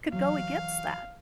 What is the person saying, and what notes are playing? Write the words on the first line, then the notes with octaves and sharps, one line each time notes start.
could go against that?
E3 F#3 F5